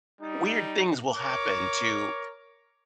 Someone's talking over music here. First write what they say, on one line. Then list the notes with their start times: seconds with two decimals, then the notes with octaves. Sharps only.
weird things will happen to
0.20 G3 D#4
1.15 A#4 C#5 D6